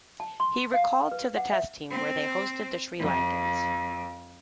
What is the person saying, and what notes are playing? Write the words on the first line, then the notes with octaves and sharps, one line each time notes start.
He was recalled to the Test team where they hosted the Sri Lankans.
A5
C6
F5
B4
F#5
E5
C4 C5
F2